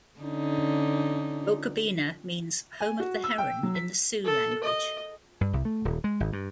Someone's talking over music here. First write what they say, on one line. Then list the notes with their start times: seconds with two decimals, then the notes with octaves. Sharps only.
Okabena means "home of the heron" is the Sioux language.
0.20 D3 C#4 D#4
2.81 G#5
3.00 F#4
3.24 E6
3.38 G5
3.63 F#3
3.75 B6
4.24 A4
4.63 D#5
5.41 G2
5.53 C2
5.65 A3
5.85 D#1
6.04 G#3
6.20 G#1
6.33 G2